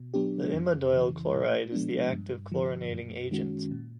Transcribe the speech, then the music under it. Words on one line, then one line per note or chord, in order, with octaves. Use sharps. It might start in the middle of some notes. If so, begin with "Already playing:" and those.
The imidoyl chloride is the active chlorinating agent.
Already playing: B2
F#3 B3 D4 G4
F2
C#3 E3
A#2
F3 G#3 B3 D4
G2
D3 F3
F#2
D#3 G#3 C#4 F#4
A#2